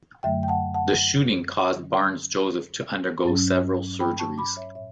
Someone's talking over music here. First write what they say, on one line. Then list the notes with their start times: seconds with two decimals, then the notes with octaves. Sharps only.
The shooting caused Barnes-Joseph to undergo several surgeries.
0.23 F#2 D3 F#3 A3 E5 G5
0.43 G5
0.48 F#5 A5
0.74 F#5 A5
1.74 D3 F#3 C#4
3.24 G2 F#3 C#4
4.00 G5 B5
4.19 A5 C#6
4.38 B5 D6
4.57 C#5 E5
4.75 A2 C#5 E5